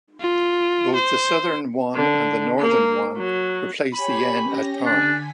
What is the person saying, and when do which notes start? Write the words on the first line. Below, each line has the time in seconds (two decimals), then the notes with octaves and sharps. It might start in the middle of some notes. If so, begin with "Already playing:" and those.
Both the Southern won and the Northern won replaced the yen at par.
0.21 F4
0.95 C5
1.95 D3
2.59 A#3
3.17 F#3
3.94 G4 C#5 G#5 B5
4.46 C#4 G4 A#6
4.86 D3 D4 G#5 B6